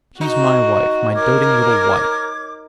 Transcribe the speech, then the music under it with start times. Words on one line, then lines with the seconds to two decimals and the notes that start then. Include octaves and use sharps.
She's my wife, my doting little wife.
0.21 D#4 F#4
1.15 A#4 C#5 D6 G#6